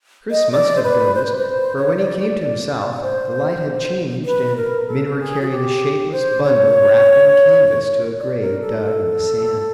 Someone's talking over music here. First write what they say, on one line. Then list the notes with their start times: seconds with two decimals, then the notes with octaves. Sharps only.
Chris must have dozed, for when he came to himself the light had changed, and men were carrying a shapeless bundle wrapped in canvas to a grave dug in the sand.
0.31 D#5
0.52 D5
0.76 C5
0.83 B4
1.14 C5
1.25 B4
1.36 C5
1.76 C#5
1.97 D5
2.18 D5
2.39 D5
3.01 C5
4.26 B4
4.57 A#4
4.87 A4
5.19 G#4
5.41 F#4
5.50 G4
6.12 C5
6.43 C#5
8.19 D5
8.41 A#4
8.61 A4